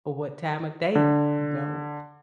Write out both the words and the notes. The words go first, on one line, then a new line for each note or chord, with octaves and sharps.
or what time of day, you know?
D3